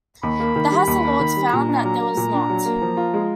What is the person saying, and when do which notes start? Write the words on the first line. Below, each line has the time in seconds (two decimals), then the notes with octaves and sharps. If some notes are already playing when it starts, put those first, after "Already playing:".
The House of Lords found that there was not.
0.23 D#2 B5
0.40 A#3
0.56 D#3
0.71 G3
0.87 D#2
1.05 A#3
1.20 D#3
1.36 G3
1.52 A#2 A#5
1.69 D4
1.84 F#3 A#5
2.00 A#3
2.17 A#2
2.34 D4
2.50 F#3
2.66 A#3
2.82 F3
2.97 F4
3.14 G#3